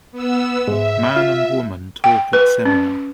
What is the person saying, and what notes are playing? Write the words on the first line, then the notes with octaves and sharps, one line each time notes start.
Man and woman talk at seminar.
B3 E6
G#2 E5
F4
G5
B4
C#4